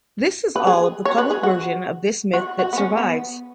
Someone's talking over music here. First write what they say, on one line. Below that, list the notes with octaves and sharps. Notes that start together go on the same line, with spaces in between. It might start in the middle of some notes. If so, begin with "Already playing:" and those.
This is all of the public version of this myth that survives.
B4
G#4
C#5
B4
G#4
F#4
F#4
F#4
B3
C#4
B3